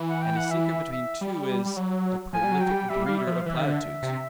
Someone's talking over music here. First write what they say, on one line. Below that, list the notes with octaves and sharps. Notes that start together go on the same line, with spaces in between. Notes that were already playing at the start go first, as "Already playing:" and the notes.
And a secret between two is--a prolific breeder of platitudes!
Already playing: E3
F#5
G5
F#5
E5
E5
E5
G3
G3
F#3
F3 G#5
G3
F#3
G5
F#3
G3
G3 E5
G3 F5
E5
F3
F5
E3 E5
D#3
D3
C3